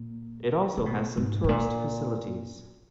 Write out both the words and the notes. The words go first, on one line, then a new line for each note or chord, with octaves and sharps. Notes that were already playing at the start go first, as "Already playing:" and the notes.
It also has some tourist facilities.
Already playing: A#2
D3
B2
G#2
G#2
A#2